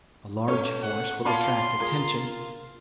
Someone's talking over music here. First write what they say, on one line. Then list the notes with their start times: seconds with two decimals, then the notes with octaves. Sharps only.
A large force will attract attention.
0.48 A3 C#4 C#5
0.83 F#5
1.25 C#4 F4 D5 F5 A5 B5 C6
1.80 F4 G#4 A#4